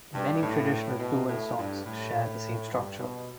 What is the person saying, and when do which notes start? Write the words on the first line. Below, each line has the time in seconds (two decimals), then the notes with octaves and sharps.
Many traditional Tuvan songs share the same structure.
0.14 G2
0.41 A2
0.99 B2
1.27 A2
1.56 G2
1.85 A2
2.71 G2
3.00 B2